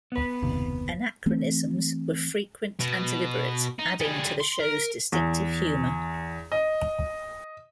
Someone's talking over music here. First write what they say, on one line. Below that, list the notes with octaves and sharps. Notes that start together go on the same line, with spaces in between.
Anachronisms were frequent and deliberate, adding to the show's distinctive humour.
B3 B4
F#1 D#2 C3
E3 A3 C4
B2
D#4
G3 G#4
C6
A#4
E2
D#5